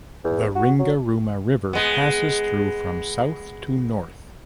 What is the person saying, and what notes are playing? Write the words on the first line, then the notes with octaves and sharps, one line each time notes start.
The Ringarooma River passes through from south to north.
E2
F#4
F#3
G#3 B3